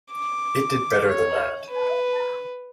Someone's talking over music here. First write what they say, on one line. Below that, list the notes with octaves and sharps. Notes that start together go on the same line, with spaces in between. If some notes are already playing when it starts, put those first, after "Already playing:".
It did better than that.
D6
C#5
B4